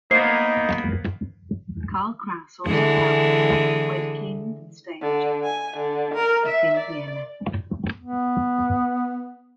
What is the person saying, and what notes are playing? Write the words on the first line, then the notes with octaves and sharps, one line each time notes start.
Karl Kraus also helped Wedekind stage it in Vienna.
A#3 B3 D#4 C5 C7
D3 E3 G#3
D3
G#5
D3
A#4
E5
D5
B3